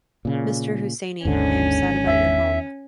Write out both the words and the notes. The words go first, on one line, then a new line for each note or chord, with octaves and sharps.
Mr. Hussaini, I am sad about your home.
A#2 C#3
G#1 D#2 G#2 D3 C#4
E2 E5